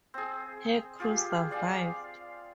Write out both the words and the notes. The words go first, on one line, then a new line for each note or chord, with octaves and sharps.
Her crew survived.
C4 G#4
F4 G4 G#4
D5 F5 G#5